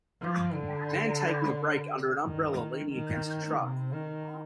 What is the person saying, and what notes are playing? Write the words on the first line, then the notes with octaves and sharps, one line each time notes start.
Man taking a break under a umbrella leaning against truck.
F3
D3
D#3
D#3
C3
D#3